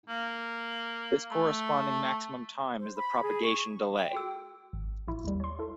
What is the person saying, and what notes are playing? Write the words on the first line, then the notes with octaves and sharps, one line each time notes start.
This corresponding maximum time is the propagation delay.
A#3
A3
C5
B5
G#4
C#6
G5
F#4 G#4 E6
G#1
A1 E4
D#2 G3
C#5 C6
E4 A4